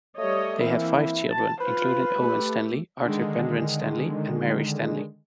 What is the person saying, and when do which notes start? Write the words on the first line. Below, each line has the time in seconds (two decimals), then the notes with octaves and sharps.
They had five children, including Owen Stanley, Arthur Penrhyn Stanley and Mary Stanley.
0.18 G3 A3 C#5 D#5
0.60 E3 A#3 C4 E4
1.28 A5
1.60 F4 B4 C5
2.15 A3 G4
3.04 D3 D#3 G#3